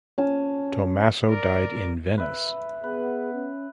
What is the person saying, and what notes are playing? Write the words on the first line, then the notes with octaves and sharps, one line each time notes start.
Tommaso died in Venice.
C#4 G#5 A5
A#4 D5
B4 E5
B3 G#4 B4
C#4